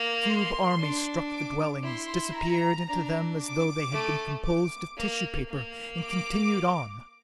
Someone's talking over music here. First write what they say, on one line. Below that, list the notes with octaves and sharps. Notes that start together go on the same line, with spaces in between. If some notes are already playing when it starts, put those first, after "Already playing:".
The cube-army struck the dwellings, disappeared into them as though they had been composed of tissue paper, and continued on!
Already playing: A#3
C6
D4
D6
E4 C6
A#5
D4
D6
A3
D6
A#3
A#3
D6